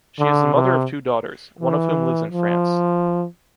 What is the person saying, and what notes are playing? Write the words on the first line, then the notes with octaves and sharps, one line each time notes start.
She is the mother of two daughters, one of whom lives in France.
D3
C3
E3
F3